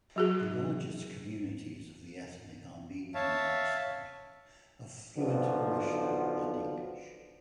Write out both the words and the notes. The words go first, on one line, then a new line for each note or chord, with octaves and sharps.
The largest communities of the ethnic Armenian diaspora are fluent in Russian and English.
F#3 F#4 G#4
C#5 E5 F5 A5
B1 B2 D3 F3